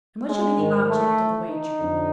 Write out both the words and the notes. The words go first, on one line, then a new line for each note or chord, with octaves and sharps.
"And what shall be the object of the wager?"
G#3
G#2 D#3
A3
D#4
F2 D3